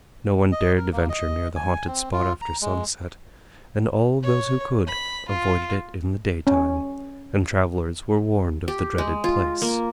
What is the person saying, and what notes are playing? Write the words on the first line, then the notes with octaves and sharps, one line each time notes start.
No one dared to venture near the haunted spot after sunset, and all those who could, avoided it in the daytime, and travelers were warned of the dreaded place.
D#5
A#4
A#3
D#5
G#5
C4
F4
A#5
G#3
C#5
B5
F4
C#4
G4
G#3
F4
A#3